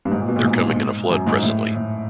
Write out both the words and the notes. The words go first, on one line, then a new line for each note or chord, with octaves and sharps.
They’re coming in a flood presently.
G2
G#2
A#2
B2
A#2
G#2
F#2
G#2
A2
A2